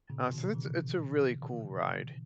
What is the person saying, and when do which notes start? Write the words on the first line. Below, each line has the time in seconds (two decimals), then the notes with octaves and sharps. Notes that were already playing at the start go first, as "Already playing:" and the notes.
Uh, so, it's a it's a really cool ride.
0.10 A#2 C#3
0.32 B2 D#3
0.55 C#3 E3